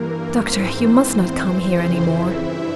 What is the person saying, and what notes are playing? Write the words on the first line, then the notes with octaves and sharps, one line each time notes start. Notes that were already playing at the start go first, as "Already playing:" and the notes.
Doctor, you must not come here any more.
Already playing: G2 E3 A#3 A#4
G#2 E3 C4 C5
E2 E3
F2 C#3 E3 C4 C5
E4 E5
G2 E3 E4 E5